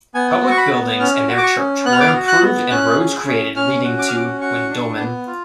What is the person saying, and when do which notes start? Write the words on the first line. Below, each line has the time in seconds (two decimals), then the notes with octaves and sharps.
Public buildings and their church were improved and roads created leading to Guindulman.
0.15 B3 G#5
0.43 F#4
0.51 C#6
0.57 B5
0.71 B3
1.00 C#4 F6
1.28 F#4
1.38 D6
1.43 C#6
1.57 C#4
1.85 B3 F#6
1.92 F6
2.00 D6
2.07 F6
2.14 F#4
2.28 F#6
2.42 B3
2.71 C#4 F#6
2.99 G#4
3.27 C#4
3.56 C#4 F6
3.84 F#4
3.99 D6
4.07 F6
4.13 C#4 D6
4.41 F#4 C#6
4.70 D4
4.98 B3
5.27 F4